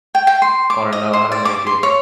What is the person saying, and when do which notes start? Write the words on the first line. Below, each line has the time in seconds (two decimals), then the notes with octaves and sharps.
I wanna know how to make it.
0.15 G5
0.27 G5
0.42 C6
0.70 D6
0.93 D#5
1.13 C5
1.32 D5
1.45 D6
1.67 C6
1.83 C#5